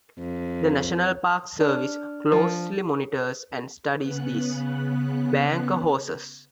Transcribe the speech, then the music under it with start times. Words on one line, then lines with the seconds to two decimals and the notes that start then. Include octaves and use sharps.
The National Park Service closely monitors and studies these "Banker horses".
0.18 F2
1.61 D4 F6
2.32 F3
4.02 C#3 B3 F#6